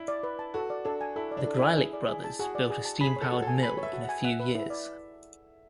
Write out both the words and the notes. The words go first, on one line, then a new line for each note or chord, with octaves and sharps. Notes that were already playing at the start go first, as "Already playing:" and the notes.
The Greilick brothers built a steam-powered mill in a few years.
Already playing: D4 E4
D5
B4
A5
F#4 A4
D5
D4 A4
G#5
E4 A4
D5
D4
A4
E4
G#5
G#4
D5
G#4
A5
F#4 G#4
D5
G#4
A5
G#4 B5
C#5
A4
F#4
A4 G#5
B4 B5
C#5 E5
F#4
F#5
G#5
E5 F#5
B4
E4
D5